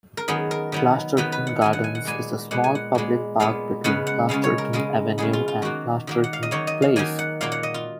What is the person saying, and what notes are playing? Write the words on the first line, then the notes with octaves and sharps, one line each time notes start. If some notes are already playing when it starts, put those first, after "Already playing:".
Plasturton Gardens is a small public park between Plasturton Avenue and Plasturton Place.
A#4
D#3 F#3 B3 G#4
A#4
D#3 F#3 B3
D#3 F#3 B3 B4
B4
F#5
D#3 F#3 B3 G#5
F#5
G#5
F#5
A#2 G#3 B3 G#5
A#2 G#3 B3 F#5
G#5
F#5
A#2 G#3 B3
A#2 G#3 B3 F5
C#3 G#3 B3 F#5
F#5
C#3 G#3 B3 F5
C#5
A#4
C#3 G#3 B3 A#4
C#3 G#3 B3 G#4
F4
F4
D#3 F#3 A#3 F#4
D#3 F#3 A#3
F#5
F5
D#5
D#3 F#3 A#3 C#5
D#5
F5
D#3 F#3 A#3 G#5
F#5
A#2 F#3 A#3 F5
F#5
D#5
F4